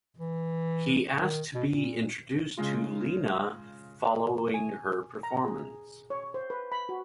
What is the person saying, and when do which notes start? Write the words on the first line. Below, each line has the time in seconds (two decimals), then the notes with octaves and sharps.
He asked to be introduced to Lena following her performance.
0.19 E3
1.20 D#3
1.55 B2
1.69 A#2
2.57 C#3 G#3 F4
4.54 G#5
5.23 A#5
5.45 G#4
6.10 C#5
6.34 C5
6.50 B4
6.72 B5
6.89 F#4